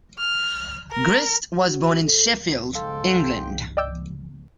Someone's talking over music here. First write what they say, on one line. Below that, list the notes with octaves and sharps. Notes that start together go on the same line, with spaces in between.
Grist was born in Sheffield, England.
F6
A#4
F#4
A4
G#2 A4 F5 G5 C6
D5 D#5 G5 D6 E6 G6